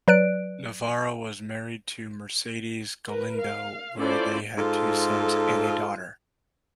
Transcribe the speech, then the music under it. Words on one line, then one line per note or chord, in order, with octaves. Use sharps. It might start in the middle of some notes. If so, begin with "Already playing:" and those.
Navarro was married to Mercedes Galindo, where they had two sons and a daughter.
F#3 B4 D5 F#6 D7
A#4 B4
F5
C#4 E4 F4 A4 C5 D5
G#2 F4 A4